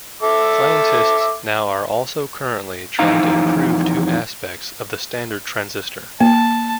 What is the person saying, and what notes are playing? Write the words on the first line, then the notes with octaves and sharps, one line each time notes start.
Scientists now are also currently trying to improve two aspects of the standard transistor.
A4 E5 D6
F2 E3 D#4 F5 A#5
A#3 A5